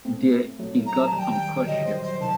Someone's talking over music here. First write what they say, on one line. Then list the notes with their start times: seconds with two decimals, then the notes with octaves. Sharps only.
There he got unconscious.
0.05 A3 C4
0.59 F#3 A3
0.86 A#5
1.00 A5
1.13 D#3 G3 A5
1.18 G5
1.58 G3
1.66 D3 F#3 D#5
1.84 C5
2.03 C5
2.20 C3 D#3 A5